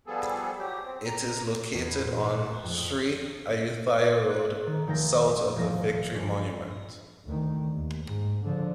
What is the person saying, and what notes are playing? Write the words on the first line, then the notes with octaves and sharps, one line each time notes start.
It is located on Sri Ayutthaya Road, south of the Victory Monument.
F3 G3 B3 G#4 A4
F#3 G4
C4
A#5
E2
B5
A#2
F#6
A5
F2
D#6
F#6
D#3
F1 D#3 A3 G5 A#6
E1 F3 A#6
C#4 D4 F4
D2 D#3
D#2
G#2
D3 F3